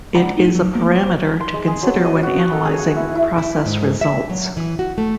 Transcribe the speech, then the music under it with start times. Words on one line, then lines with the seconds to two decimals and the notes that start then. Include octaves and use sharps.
It is a parameter to consider when analyzing process results.
0.15 G#2 C#3 D5 F#5 A#5 B5
0.37 A2 D#4
0.55 F#3
0.75 A3 A#3
0.96 C5
1.40 C6
1.54 G#3
1.67 G#4
1.82 F#3
2.05 D#5
2.23 F#4
2.39 C#6
2.52 A4
2.65 G#4
2.80 F#5
2.96 E4
3.15 E4
3.38 E4
3.66 G#2
4.01 E5
4.30 F#3
4.57 E3
4.79 F#4
4.98 A3